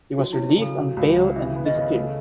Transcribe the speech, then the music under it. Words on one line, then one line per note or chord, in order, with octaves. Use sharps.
He was released on bail and disappeared.
F#3 F#4
E4
C#4
C#3 A4
F#3
C#2
C#3
E3 E5
B3
D#5
C#3
A3